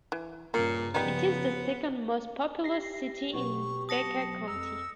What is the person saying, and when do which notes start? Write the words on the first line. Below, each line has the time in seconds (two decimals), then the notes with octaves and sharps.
It is the second most populous city in Becker County.
0.12 E3
0.54 G2 A#2 C#3 A#3
0.95 C#3 F3 G3 B3 D#4
2.64 G4 A#6 C7
3.33 B2 F#3 B3 C#6
3.89 A5 D#6 A#6 C#7
4.47 F2 A#5 E6 F6